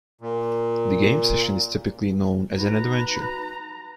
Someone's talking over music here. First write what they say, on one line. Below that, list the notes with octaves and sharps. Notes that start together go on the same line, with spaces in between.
The game session is typically known as an adventure.
A#2
D#4 F#4 B4 A#5